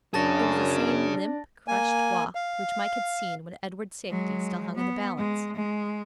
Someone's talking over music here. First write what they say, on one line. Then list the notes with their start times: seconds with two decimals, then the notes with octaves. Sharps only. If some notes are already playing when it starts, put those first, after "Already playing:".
It was the same limp, crushed walk which Mike had seen when Edward's safety still hung in the balance.
0.14 F#2 D4 G#4 C#5 A5 A6 A#6
1.68 A#3 G#5
2.35 F5
4.09 F#3 G#3
4.75 B3
5.17 G#3
5.56 G#3